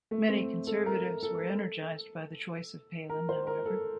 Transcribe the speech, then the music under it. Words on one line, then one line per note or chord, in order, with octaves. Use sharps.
Many conservatives were energized by the choice of Palin, however.
A3
C4
A4
A#4
A4
A#4
C5
A#4
A4